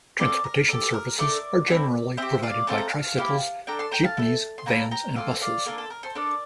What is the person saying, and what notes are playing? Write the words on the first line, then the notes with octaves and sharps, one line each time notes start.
Transportation services are generally provided by tricycles, jeepneys, vans and buses.
C4 F4 A4 A#4 D5
A#4
D4 G4 A4
A4
A#4
A3 D4 A4 A#4 D5
A3 C4 E4
C4 G4 C5 E5
D5 F5
A3 C4 F4 A4 A5
A#5
F5 A5
A#3 E4 G4
D4 A4 G5 A#5
A5 C6
G5 A#5
F5 A5
A3 E4 A4
C6
A#3 E4 A4 G5 A#5
G5 A#5
A#3 F4 A4 E5 G5
D5 F5
A#3 D4 F4 A4 A#4
A4
A#4
A4 C5
D4 A4 A#4 D5